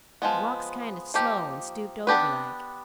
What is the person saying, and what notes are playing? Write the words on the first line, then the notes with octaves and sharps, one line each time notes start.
"He walks kind of slow and stooped over, like."
F3 G#3 B3
F3 A#3 D#4 G4
B3 D4 G4 B4